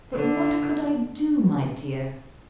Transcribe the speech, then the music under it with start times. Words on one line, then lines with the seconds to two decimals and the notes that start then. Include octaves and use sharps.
'But what could I do, my dear?
0.14 D3